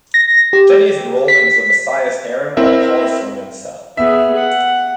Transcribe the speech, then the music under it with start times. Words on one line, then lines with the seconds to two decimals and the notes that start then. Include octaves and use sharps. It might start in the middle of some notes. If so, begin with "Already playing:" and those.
Jenny is enrolled into the Messiah's harem while Paul is thrown in a cell.
0.14 A#6
0.53 G4
1.28 B6
2.57 C4 E4 A#4 E5
3.97 B3 G#4 E5
4.36 F#5